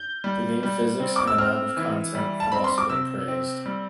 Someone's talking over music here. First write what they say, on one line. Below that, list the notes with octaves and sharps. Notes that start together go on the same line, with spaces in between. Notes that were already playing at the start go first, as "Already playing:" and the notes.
The game physics and amount of content have also been praised.
Already playing: G6
G3
G3
C4
D6
E6
C4 F6
E3
G3
A5
C4 B5
C6
D6
C3 E6
C4
G3